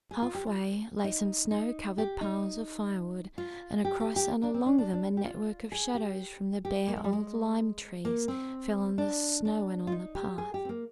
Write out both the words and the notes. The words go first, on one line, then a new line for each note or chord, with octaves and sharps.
Halfway lay some snow-covered piles of firewood and across and along them a network of shadows from the bare old lime trees fell on the snow and on the path.
G#4
F4
G4
F4
D#4
D#4
G4
D#4
F4
G4
G4
G4
D4
C4
D4
D4
D4
G4
F4
G#4
G4
G4
A#3
G#3
G3
G#3
A#3
C4
D4
D4
F4
D#4
G4
G#4
G4
C4
A#3